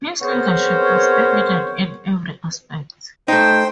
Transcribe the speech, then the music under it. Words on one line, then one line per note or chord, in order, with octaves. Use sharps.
His leadership was evident in every aspect.
B3 C4 G#4 A#4 C5 C#5
A3 D#4 C5 G5